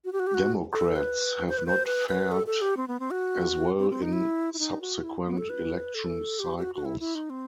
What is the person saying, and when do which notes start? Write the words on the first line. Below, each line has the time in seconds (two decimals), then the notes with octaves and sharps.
Democrats have not fared as well in subsequent election cycles.
0.05 F#4
0.13 G4
0.20 F#4
0.27 G4
0.34 F#4
0.73 A4
0.96 B4
1.49 C5
1.58 B4
1.67 C5
1.86 B4
2.09 B4
2.32 A4
2.47 A4
2.61 G4
2.77 C4
2.88 B3
3.00 C4
3.11 F#4
3.79 C4
3.90 C4
4.02 D#4
4.13 E4
4.54 E4
4.59 D#4
4.81 F#4
5.04 E4
5.26 B3
5.38 A4
5.50 B4
5.95 A4
6.40 G4
6.58 G4
6.62 F#4
6.75 F#4
6.85 E4
7.00 E4
7.15 D#4
7.30 C4